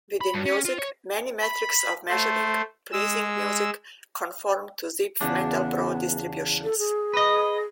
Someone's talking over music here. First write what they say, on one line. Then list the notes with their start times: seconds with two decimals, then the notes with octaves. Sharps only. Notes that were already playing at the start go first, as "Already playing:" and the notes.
Within music, many metrics of measuring "pleasing" music conform to Zipf-Mandelbrot distributions.
0.21 B5
0.34 G2
0.46 C#4
0.65 F4
0.79 C#5
1.42 B5
2.09 A3 C5
2.92 G#3 E6
5.21 E2 C#3 B3 D4
6.64 A4
6.79 G#4
7.14 B4 D#5